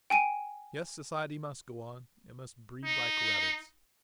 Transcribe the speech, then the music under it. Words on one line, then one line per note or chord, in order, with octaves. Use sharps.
Yes, society must go on; it must breed, like rabbits.
G5 G#5 D7 D#7
D#4